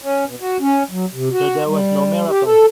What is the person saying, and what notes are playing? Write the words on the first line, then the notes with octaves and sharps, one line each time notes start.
So there was no miracle?
C#4
B2
F#4
C#4
F#3
C3
F#4
G3
G4
A4